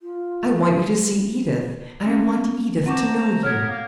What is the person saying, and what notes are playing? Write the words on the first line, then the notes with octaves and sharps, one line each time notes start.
'I want you to see Edith; and I want Edith to know you.
F4
G3 C4 C#4
B3 A#4
C4 C5 F#5 A5 A#5 C#6 D6
B3 A4 A#4 C#5 F6 G#6
A#3